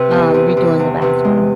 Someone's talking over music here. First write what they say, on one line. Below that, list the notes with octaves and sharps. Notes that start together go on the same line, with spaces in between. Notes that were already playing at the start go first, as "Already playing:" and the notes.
um, redoing the bathroom
Already playing: C3 B4
E2
C3
C3
E2
C3 B4
G#3